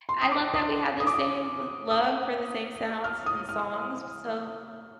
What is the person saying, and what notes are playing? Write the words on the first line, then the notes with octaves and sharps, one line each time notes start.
I love that we have the same love for the same sounds and songs, so
C6
D#6
D6
D#6
D#6
D6
D#6
D#6
F6
D#6
F6